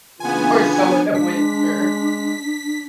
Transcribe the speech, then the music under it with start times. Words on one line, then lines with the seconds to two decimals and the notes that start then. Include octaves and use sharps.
more so in the winter.
0.20 C#3 E3 B3 D4 F4 G#5
1.15 G#3 B6